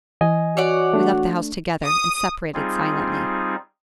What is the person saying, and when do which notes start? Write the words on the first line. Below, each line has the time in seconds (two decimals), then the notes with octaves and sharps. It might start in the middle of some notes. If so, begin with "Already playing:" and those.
We left the house together, and separated silently.
0.21 E3 D#5 G#5
0.57 F#4 C#5 D5 F#5
0.93 A3 D4
1.85 D#6
2.54 G3 C4 D#4 F4 G#4